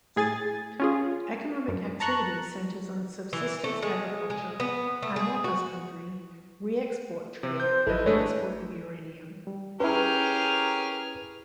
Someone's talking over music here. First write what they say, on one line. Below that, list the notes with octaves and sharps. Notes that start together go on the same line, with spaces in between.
Economic activity centres on subsistence agriculture, animal husbandry, re-export trade, and export of uranium.
A2 G#4 G#5 A6
C#4 F4 G#4
F#2
A5 A#5 C#6 F#6
E3
A3
G#3
G#3
B3
A3
G#4
F#4
C3
C5 G6
G#1 E4 A4 B4 D#5
G#3 A3 D4 C#5
G3
C#4 E4 G4 G#4 A#4 B4 C#5 F6